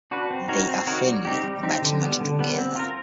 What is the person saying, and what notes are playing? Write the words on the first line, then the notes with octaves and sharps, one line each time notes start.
They are friendly, but not "together".
D4 F#4 B4
C4
D#4 F#4 A#4 C#5
C4
D#4 F#4 A#4 C#5
G3
C4 D#4 G4
G3
C4 D#4 G4
D3
G3 B3
D3
G3 B3
C4
F4 A#4